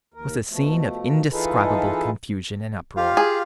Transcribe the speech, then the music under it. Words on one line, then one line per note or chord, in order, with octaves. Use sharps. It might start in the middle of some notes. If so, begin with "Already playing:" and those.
It was a scene of indescribable confusion and uproar.
D#2 A#4
B2 F3 A3
E3 D#4 F4 G#4 A4 B4
F4 G4 F5
G#4